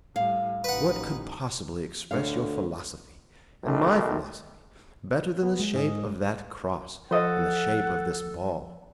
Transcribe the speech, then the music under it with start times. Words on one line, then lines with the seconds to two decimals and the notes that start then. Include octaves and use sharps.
What could possibly express your philosophy and my philosophy better than the shape of that cross and the shape of this ball?
0.16 A2 G3 F5
0.64 A1 D#4 B4 F#5
2.11 D2 D3 C#5 F5
3.64 B1 D#3 A3
5.43 B3
5.59 G#3
5.74 G#2 G#4 D#5
7.11 F3 A4 C5 D#5 F#5